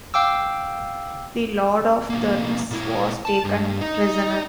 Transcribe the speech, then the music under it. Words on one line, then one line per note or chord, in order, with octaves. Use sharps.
The lord of Thermes was taken prisoner.
F5 G5 D6 E6
B1 A#3
A#2 E4
A5
G2
D#4